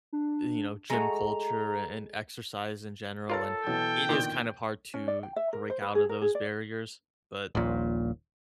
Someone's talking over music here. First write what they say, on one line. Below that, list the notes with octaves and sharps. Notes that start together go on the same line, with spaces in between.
e you know, gym culture and exercise in general, and it is kind of hard to, break out of those barriers. But,
D4
G#3 A3 F#4 A#5
F4 A4 A#4 C#5 A6
B2 E3 F#3 G5
A#2 D3 D#3
C#4
D5
G5
E5
A#4
C5
B4
G#4
A#4
G#4
D5
D#1 A#1 A#2